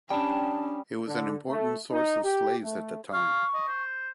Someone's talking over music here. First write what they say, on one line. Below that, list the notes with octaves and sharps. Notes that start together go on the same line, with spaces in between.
It was an important source of slaves at that time.
G3 C#4 D4 G5 A5 D#6
D3
A3
D#4
G4
A3
F5 C#6
D#5
C5